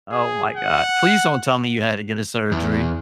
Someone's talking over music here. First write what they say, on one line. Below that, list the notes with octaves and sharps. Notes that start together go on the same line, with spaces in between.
Oh my god. Please don't tell me you had to get a surgery.
G#4
F#5
E2